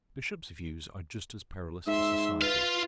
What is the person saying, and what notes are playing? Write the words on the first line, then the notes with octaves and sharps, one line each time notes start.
The Bishop's views are just as perilous to society.
G#2 E5 C6 E6
F4 B4 F5